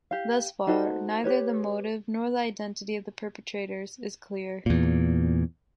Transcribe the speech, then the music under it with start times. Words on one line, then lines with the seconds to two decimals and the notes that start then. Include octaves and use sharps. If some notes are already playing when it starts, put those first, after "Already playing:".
Thus far,neither the motive nor identity of the perpetrators is clear.
0.11 G4 F5
0.67 D#4 F#4 A4 C5
1.24 G4 B4 C#5
4.66 E2 A#2